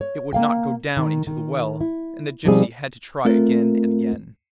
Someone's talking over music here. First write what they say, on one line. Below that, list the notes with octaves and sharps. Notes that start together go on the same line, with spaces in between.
It would not go down into the well, and the gypsy had to try again and again.
C#5
A#3 F5 G5
D#3
D#3
E4
B2 F3 G3 C4 D#4 G#4
A3 C4 F4 A#4